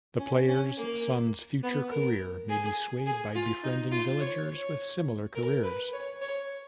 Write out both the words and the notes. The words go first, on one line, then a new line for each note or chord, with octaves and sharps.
The player's son's future career may be swayed by befriending villagers with similar careers.
C#4
C#4
A#3
B3
A#4
G#4
G#4
F4
D#4
F4
C#5
C#5
A#4
B4
C#5
C#5